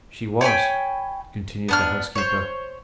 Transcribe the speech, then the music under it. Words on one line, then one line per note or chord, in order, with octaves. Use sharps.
'She was,' continued the housekeeper.
C#5 G5 G#5 B5
B3 D4 F6
C5 C#5